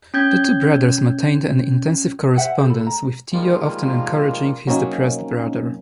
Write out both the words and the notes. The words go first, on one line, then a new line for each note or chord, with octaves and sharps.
The two brothers maintained an intensive correspondence, with Theo often encouraging his depressed brother.
C#4 G6 G#6
C5 E5 F#5 G5
G#4 A4 C5
A4 B5
A#5
D#3 F3 G3 G#3 A#3 F4
F#3 A#3 C4 C#4 D#4